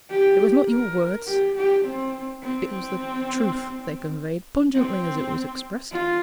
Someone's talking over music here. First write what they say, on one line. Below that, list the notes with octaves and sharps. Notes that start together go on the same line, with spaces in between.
'It was not your words; it was the truth they conveyed, pungently as it was expressed.
G4
A#4
G4
G4
C4
C4
C4
F4